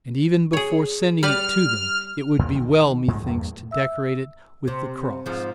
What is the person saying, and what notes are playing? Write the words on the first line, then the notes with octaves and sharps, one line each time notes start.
And even before sending it to them it would be well, methinks, to decorate it with the Cross.
G#4 C#5
G3 B4 D5 F6
E2 A#2 D3 D#3
D#3
G#2 G#3 A3
E2 G2 A#3
E5 E6
C3
G#2 F3